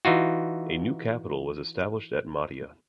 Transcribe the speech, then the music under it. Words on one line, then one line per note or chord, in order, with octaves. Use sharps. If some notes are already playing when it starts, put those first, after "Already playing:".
A new capital was established at Mahdia.
E3 D#4 F4 F#4